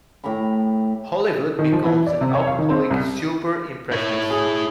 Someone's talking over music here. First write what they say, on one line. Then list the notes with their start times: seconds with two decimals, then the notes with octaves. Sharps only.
Hollywood becomes an alcoholic 'super-impressionist'.
0.24 A2 G4 A#5 B5
1.59 D#3
1.72 F3
1.85 E3
2.07 D5
2.21 C3
2.35 C#5
2.47 F5
2.59 D#3
2.70 C4
2.91 C2
3.92 E4 C#5
4.30 G#4